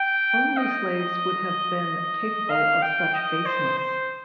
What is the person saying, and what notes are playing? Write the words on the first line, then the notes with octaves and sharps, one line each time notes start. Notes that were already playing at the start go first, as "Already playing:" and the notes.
Only slaves would have been capable of such baseness.
Already playing: G5
D#5
F5
G5
D#5
C5
C5